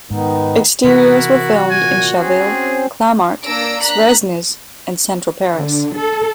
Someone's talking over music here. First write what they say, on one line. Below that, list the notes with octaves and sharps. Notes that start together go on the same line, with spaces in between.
Exteriors were filmed in Chaville, Clamart, Suresnes, and central Paris.
G#2 D#3 B3 D#4
C3 E3 E4 F#4 A#4
A#2 G#5
C4 C#4 G#4 C5
A#3 D4 E6 A#6 D7
A#5 F#6 B6
D3
A4